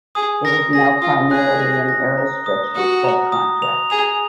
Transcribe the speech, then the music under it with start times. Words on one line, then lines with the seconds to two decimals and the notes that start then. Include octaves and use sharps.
It is now primarily an aerostructures subcontractor.
0.15 G#4 D#6
0.45 A#4 A#6
0.73 G#4 A#6
1.02 F4 D#6
1.31 G#4 F#6
1.60 A#6
1.88 A#6
2.18 A#5
2.46 D#6
2.75 F#4 D#6
3.04 A#5
3.32 D#6
3.62 F7
3.90 G#4 F7